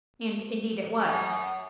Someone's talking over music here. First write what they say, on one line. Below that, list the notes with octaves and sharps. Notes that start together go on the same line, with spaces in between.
And indeed it was.
F#2